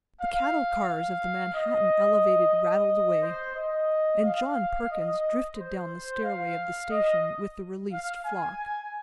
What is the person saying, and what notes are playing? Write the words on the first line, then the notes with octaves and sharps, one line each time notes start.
The cattle cars of the Manhattan Elevated rattled away, and John Perkins drifted down the stairway of the station with the released flock.
F5
F5
D#5
D#5
C5
D#5
F5
D#5
C5
F5
D#5
F5
G#5